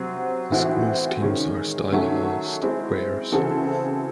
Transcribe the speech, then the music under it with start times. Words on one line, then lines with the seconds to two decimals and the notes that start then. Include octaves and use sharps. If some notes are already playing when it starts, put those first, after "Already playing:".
The school's teams are stylized Bears.
Already playing: C3 F#3 C4 F#4
0.52 A2 E3 C4 F#4
1.22 D#3 G#3 C#4
1.92 D#3 F#3 A3 C#4
2.62 G#3 C4 E4
3.32 C#3 E3 C4 F#4 A4